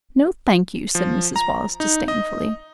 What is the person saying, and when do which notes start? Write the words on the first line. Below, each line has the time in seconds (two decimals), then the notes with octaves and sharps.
"No, thank you," said Mrs. Wallace disdainfully.
0.95 F3
1.36 A#5
1.80 D#4
2.08 D#5